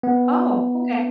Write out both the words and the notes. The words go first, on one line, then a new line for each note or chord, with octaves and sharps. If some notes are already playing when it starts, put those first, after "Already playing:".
Oh, okay.
B3